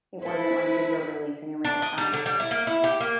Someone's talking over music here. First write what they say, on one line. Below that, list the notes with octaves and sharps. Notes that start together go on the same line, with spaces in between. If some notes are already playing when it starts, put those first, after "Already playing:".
it wasn't like these were releasing in real time.
E4 A4 B4 C5
D4
D#5
G3
D3
G3
E4
A#3
E4
G4
A#3